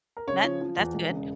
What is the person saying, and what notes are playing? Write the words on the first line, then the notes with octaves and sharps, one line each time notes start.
That that's good.
A#4
C#3 C#5
F3
F3
E2
E1
C#3